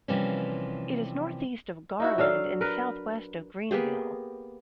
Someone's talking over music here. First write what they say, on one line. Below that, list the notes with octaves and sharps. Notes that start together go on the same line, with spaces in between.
It is northeast of Garland and southwest of Greenville.
C3 E3 F3 G3 A#3 C#4
D#4 E4 F#4
F#3 D4 A4 F5
A#4 B4
A#3 B3 G4 G#4